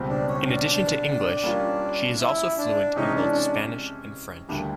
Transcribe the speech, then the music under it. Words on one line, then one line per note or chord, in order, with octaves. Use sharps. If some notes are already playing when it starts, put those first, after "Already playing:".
In addition to English, she is also fluent in both Spanish and French.
Already playing: C#2 B2 G3 C4
D4
C#4
D4
D4
G3 A#3 C#4 F4
E4
D4
C3 E3 G#3 C#4 D#4
D4
D4
D2 D3 G3 A#3 D4